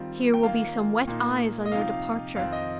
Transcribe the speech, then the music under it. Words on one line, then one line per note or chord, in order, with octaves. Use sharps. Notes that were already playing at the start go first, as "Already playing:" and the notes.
Here will be some wet eyes on your departure.
Already playing: D#3 G3 C4 F4
G5
D#3 A#3 F4 F5
A#2 A#3 D#4
D#5
C3 F3 D#4 F5
F2 D#3 C4 F4 F5
D#5